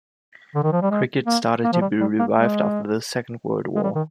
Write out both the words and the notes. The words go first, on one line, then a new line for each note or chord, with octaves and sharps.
Cricket started to be revived after the Second World War.
D3
D#3
F3
G3
G#3
A#3
A#3
F3
G3
G3
A#3
G#3
G#3
G3
D#3